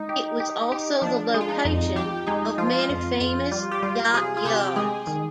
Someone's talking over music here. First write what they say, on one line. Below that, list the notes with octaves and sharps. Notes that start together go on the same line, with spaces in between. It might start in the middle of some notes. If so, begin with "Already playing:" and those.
It was also the location of many famous yacht yards.
Already playing: G#3 D#4
G4
G4
G4
F3 D4
G#3
F4
D#4
F2
F3 G4
G#3 D#4
F3 F4
F2
F2
G3
G4
G3 F4
C3 G#4
F4
C3 G4
G#3 G#4
D#3